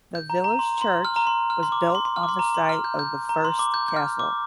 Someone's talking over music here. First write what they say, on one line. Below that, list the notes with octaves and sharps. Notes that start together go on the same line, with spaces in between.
The village church was built on the site of the first castle.
G6
A#5
A#5
C6
C6
F6
A#5
C6
F6
C6
D6
C6
C6
F6
D6
C6
A#5
C6
F6
G6
G6
A#5
C6
D6
G6
G6
F6
D6